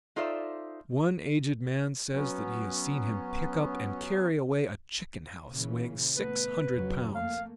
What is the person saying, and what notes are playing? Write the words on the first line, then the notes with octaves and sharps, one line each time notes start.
One aged man says that he has seen him pick up and carry away a chicken-house weighing six hundred pounds.
D#4 F4 A4 C5 D5 E5
F#3 B3 C#4
A#2 C#3 E3
A3 B3 B4
F2 C#3 F#3
A3 A#3 F5